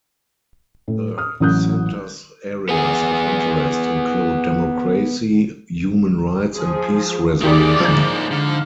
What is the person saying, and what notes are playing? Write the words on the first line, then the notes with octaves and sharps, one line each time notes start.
The center's areas of interest include democracy, human rights and peace resolution.
A2
D#6 F6
A1 E3 F#3 D#6 F#6 G6
B3 G#4
F3 G#4
A#3 E4 G4 G#4 D5 D#6
G#2 F3
D3 F5